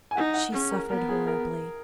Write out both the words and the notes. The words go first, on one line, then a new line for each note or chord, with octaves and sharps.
She suffered horribly.
G#5
D#4 F#5
F#5
C#4 G#4
A#4
B3 A#4
G#4
A#4